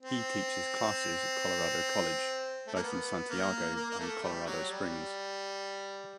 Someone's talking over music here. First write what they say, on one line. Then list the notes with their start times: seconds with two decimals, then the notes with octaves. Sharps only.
He teaches classes at Colorado College both in Santiago, and Colorado Springs.
0.03 C4
2.67 A3
2.75 A#3
2.83 B3
3.30 A#3
3.76 A#3
3.91 A#3
3.99 A3
4.23 G3
4.46 F#3
4.69 G3